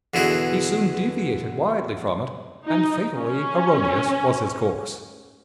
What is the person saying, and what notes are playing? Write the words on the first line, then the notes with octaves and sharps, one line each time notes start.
He soon deviated widely from it--and fatally erroneous was his course.
E2 B2 D3 E4 F#4 G#4
D#4
C#4